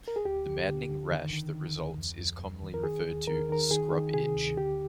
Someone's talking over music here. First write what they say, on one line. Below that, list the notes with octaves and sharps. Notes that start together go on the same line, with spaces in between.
The maddening rash that results is commonly referred to as 'scrub-itch'.
A#4
G#4
D2 G4
D3
D3
D3
D#3
D#3
D#3
D2
F2
F2
F2
D#3
A#4
D#3 G#4
D#2
D#3 A#4
D#3 A#4
D#3 G#4
D#3
C3 G#4
D2
D3 G4